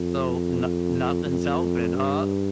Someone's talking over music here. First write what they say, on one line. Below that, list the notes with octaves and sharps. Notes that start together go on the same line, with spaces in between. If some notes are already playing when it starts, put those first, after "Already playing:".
So, no nothing's helping, huh?
Already playing: F2
F2
G2